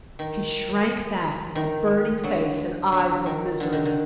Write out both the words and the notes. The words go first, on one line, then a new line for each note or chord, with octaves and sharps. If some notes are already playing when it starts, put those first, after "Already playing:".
She shrank back with a burning face and eyes of misery.
D#3
D#3
D3 F#3
D3 F#3
D#3
D3
D#3
D3